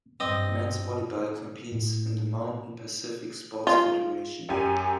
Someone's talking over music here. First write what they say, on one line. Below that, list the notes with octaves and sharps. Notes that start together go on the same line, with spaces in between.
Men's Volleyball competes in the Mountain Pacific Sports Federation.
G2 C4 D#5
A2
F4
F#2 G4 G#5